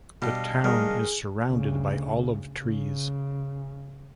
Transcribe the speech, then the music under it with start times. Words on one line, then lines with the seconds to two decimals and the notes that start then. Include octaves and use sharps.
The town is surrounded by olive trees.
0.22 B2 G3 D4 D#5 F5
0.64 D#3 G3 G#4
1.49 D2 C#3
2.60 C#3